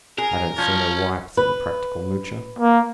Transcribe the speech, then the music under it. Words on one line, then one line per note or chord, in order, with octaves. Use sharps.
"I don't see no wipe," said the practical Moocher.
G#4 A#4
F3 C#4
B4
A#3